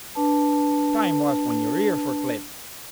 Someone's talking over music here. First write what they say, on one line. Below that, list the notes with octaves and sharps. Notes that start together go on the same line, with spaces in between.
Time was when your ears were clipped.
D4 B4 A5